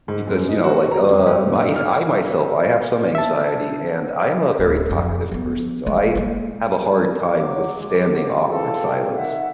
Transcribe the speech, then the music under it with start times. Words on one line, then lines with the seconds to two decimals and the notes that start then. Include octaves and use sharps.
Because, you know, like, uh, mys I myself, I have some anxiety, and I'm a very talkative person. So, I have a hard time withstanding awkward silence.
0.08 G#2
0.27 F#2
0.49 D#4
0.64 F#4
0.91 A#5
1.10 F2
1.26 G2
1.47 A#2
1.62 D#4
1.76 F6
3.15 E5 A5
4.59 D1
4.91 F2
5.31 F3 B3
5.86 F3 G#3
6.15 G#3 A#3
7.38 F#3 C#5 D6
7.75 G#3
8.11 G2 F3 F#3 G#3
8.48 E3 C4 F4 G#4 A4
8.82 F#2 A#4
9.15 D#3 E5 F#5